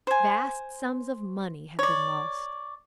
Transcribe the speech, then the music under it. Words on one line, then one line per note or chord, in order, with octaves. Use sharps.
Vast sums of money have been lost.
C5 G#5
C#5 D5